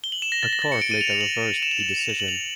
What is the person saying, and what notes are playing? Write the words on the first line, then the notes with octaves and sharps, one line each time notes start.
A court later reversed the decision.
G7
F#7
E7
A#6
A6
A#6
A6
C#7
D7
D#7
F7
F7
F#7
E7
F7
F#7
E7
F7
F#7
F#7
F7